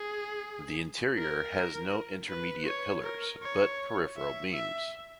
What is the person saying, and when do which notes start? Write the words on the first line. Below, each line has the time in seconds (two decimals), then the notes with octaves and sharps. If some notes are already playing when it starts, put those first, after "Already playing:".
The interior has no intermediate pillars but peripheral beams.
Already playing: G#4
1.18 A#4
2.29 B4
2.66 C#5
3.04 A#4
3.42 C#5
4.17 E5
4.53 E5